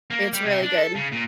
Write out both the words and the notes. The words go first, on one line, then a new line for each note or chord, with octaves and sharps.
it's really good.
A#3
G3
C3
D4
A4
C#3
A#2